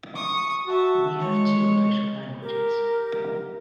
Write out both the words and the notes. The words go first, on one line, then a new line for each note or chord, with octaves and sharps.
We have two official languages.
C#6 D#6
F#4 E5 A5
G#3 C#5
G4 A#4